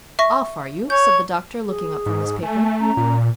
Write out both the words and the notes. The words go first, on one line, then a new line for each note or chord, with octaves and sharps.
"Off, are you?" said the doctor, looking up from his paper.
E5 C#6 A#6
C#5 G6
G#4
G#2
A3 G#5
C#4 A#5
A#2